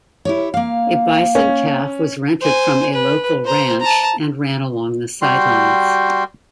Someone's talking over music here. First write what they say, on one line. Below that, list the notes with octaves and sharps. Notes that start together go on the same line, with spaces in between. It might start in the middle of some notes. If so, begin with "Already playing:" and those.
A bison calf was rented from a local ranch and ran along the sidelines.
E4 G4 C#5
A#3 F5
C#4
C5 G#5
B4
C5 A#5
A5 A#5
G3 F#4 G5 C6